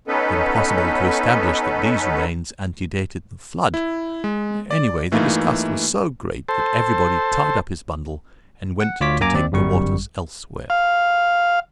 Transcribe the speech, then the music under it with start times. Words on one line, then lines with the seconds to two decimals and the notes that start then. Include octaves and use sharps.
It was impossible to establish that these remains antedated the Flood. Anyway, the disgust was so great that everybody tied up his bundle and went to take the waters elsewhere.
0.08 B3 C#4 D#4 A4 B4
3.74 E4
4.24 G#3
4.71 D5
5.12 G2 E3 A3 A#3 D#4 F4
6.49 A4 C5
8.80 F#5
9.01 D2 F4 C#5 D6 B6
9.21 F#2 A#3 G#5 A#5 D6
9.33 D#2 C4 D5
9.52 G1 F#2 G3 C#6
10.70 F5